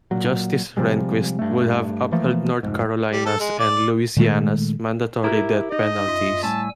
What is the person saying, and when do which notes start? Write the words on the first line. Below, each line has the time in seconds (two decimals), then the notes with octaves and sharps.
Justice Rehnquist would have upheld North Carolina's and Louisiana's mandatory death penalties.
0.11 A#2 F#3
0.77 C3 F3 G3 G#3
1.39 G2 A3
2.12 E3 F3 A3 A#3
2.63 F1 B1 G#2
3.12 G3
3.26 A4
3.40 G#3
3.59 D5
4.17 A#2 D#3 G#3 A3
5.24 E4 G4 A#4
5.72 D#4 D#5
6.08 F#2 F4 E5
6.43 A2 G3 G#5 A5 E6